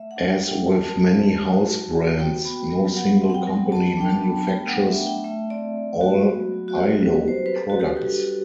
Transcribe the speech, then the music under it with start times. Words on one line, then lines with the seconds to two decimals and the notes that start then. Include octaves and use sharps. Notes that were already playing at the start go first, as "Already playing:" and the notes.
As with many house brands, no single company manufactures all iLo products.
Already playing: A3 E5
0.11 F#5
0.16 D4
0.29 G5
0.42 A3
0.48 G5
0.67 F#4 A5
0.92 B3
1.18 G3
1.43 F#4
1.69 F#4
1.95 B3
2.19 F#4 G5
2.45 B3
2.70 F#3
2.96 F#3 F#5
3.22 C4
3.30 F#5
3.34 G5
3.47 F#3
3.72 B3 A5
3.97 D4 G5
4.10 A5
4.23 B3
4.49 A3 G5
4.68 F#5
4.73 D4
4.87 E5
5.00 A3
5.06 G5
5.24 A3 E5
5.50 C4 D5
5.76 A3
6.01 F#3 F#4
6.27 B3
6.52 F#3
6.68 F#4
6.77 G3 G4
7.03 C4 B4
7.28 G3 C5
7.46 B4
7.54 G3 A4
7.70 F#4
7.79 D4 G4
7.97 G4
8.04 G3 A4